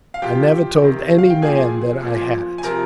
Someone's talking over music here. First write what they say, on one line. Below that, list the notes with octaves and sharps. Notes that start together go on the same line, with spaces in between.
"I never told any man that I had it."
F5
C3 F3 G4 G5
C3 D#3
F5
G5
A#2 F3 G#4 G#5
A#2 F3
G#5
C3 F3 A#4 A#5